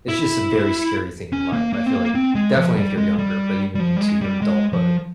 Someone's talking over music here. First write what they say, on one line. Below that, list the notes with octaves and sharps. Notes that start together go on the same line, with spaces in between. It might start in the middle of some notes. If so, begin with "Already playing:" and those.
it's just a very scary thing in life, I feel like definitely if you're younger, but even into your adulthood.
E4
C#4
A#3
A#3
C4
A#3
C4
G#3
F3
G3
G#3
G3
G3
F3
G3
G#3
G3
G#3
F3